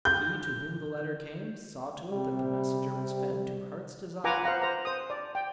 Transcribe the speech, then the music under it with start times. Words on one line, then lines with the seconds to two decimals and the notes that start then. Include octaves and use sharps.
He to whom the letter came, saw to it that the messenger was fed to heart's desire.
0.05 G6
2.11 C3 G3
4.24 F4 B4 F#5 G#5 A#5 D6
4.44 C5 F5 F#5 A#5
4.62 C5 A#5
4.85 C5 D#6
5.10 D5
5.35 G5